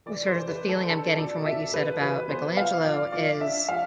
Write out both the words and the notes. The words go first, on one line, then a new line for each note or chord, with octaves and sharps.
sort of the feeling I'm getting from what you said about Michelangelo is
E3 D5
C5
E3
B4
A3
A4
D4 A4
B2 D5
B2 E5
E3 B4
E3 B4
B3 C5
F3 F5
F3 D5
F3 D5
D4 E5
F3 F5